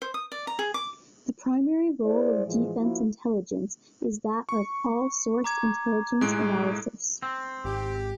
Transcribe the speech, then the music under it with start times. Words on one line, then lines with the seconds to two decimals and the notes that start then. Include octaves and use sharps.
The primary role of Defence Intelligence is that of 'all-source' intelligence analysis.
0.02 C5
0.14 D#6
0.32 D5
0.47 A#5
0.59 G#4
0.74 D6
2.03 E4 G#4 C5 D5
2.45 A2 E3 F3 G#3
2.78 F3 A#3 E4 F#4
4.49 C#6
5.44 A#5 D6 G#6
6.21 B1 A2 G#3 F#6 D7
7.22 C4
7.64 G#1 G4